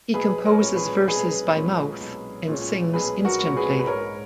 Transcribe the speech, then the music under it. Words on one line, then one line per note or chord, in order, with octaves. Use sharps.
He composes verses by mouth and sings instantly.
B1 G#4 B4
A#4 C#5
A#2 G#3 C#4
G#4 B4
B1 G#4 B4
A#2 G#3 C#4
B1
A#2 G#3 C#4
B1 G#4 B4
F#4 A#4
A#2 G#3 C#4
G#4 B4
B4
G#2 A#4 C#5